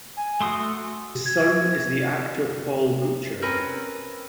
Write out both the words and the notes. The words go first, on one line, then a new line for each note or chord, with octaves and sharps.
His son is the actor Paul Butcher.
G#5
A3 F#4 C6 D#6
G#6
C4 C#4 A#4 B4